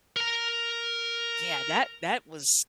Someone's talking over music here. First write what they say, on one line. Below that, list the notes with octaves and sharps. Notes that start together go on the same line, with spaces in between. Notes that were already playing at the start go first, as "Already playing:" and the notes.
Yeah, that that was
A#4 A#5